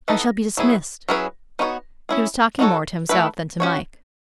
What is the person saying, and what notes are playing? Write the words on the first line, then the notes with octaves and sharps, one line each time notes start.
I shall be dismissed.' He was talking more to himself than to Mike.
E3 B3 D#4 A4 D#5
F#3 B3 E4 G#4
F#3 C#4 E4 G#4 B4
B3 D#4 F#4 A4 C#5
C#4 E4 G#4
B3 D#4 F#4 A4 C#5
A3 E4 B4
C#4 F#4 C#5